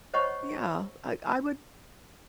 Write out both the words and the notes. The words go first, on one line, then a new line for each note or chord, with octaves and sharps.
Yeah, I I would
C5 C#5 D#5 F#5 B5 C#6